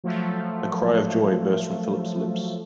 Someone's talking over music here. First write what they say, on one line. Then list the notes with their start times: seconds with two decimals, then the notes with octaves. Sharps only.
A cry of joy burst from Philip's lips.
0.04 F3 F#3 A3